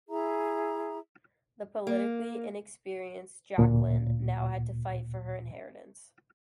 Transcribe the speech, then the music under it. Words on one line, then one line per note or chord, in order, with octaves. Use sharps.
The politically inexperienced Jacqueline now had to fight for her inheritance.
E4 G#4 E5 A#5
A#3
D2 A#2